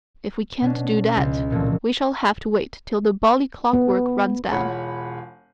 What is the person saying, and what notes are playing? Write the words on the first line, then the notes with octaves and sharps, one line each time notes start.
If we can't do that, we shall have to wait till the bally clockwork runs down.
B2 C#4 D4
C#2
C2 A#2 E3 F3 A3
B3
E1 F4 C#5 F#5 B5